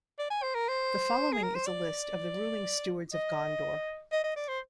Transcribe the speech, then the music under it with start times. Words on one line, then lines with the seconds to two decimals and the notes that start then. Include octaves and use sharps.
The following is a list of the Ruling Stewards of Gondor.
0.19 D5
0.31 G#5
0.43 C5
0.55 A#4
0.68 C5
1.33 G#4
1.44 A#4
1.55 C5
1.67 D5
3.14 D#5
4.12 D#5
4.24 D#5
4.36 D5
4.48 C5